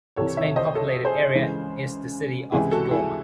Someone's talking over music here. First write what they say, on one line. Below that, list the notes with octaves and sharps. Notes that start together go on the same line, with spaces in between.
Its main populated area is the city of Kigoma.
C2 C3 E3 A4 C#5
C#5 E5
C5 D#5
A4 C#5
G#4 C5
C#2 C#3 E3 G#3
C#2 C3 E3 G#3 E4 G#4
F#4 A4
E4 G#4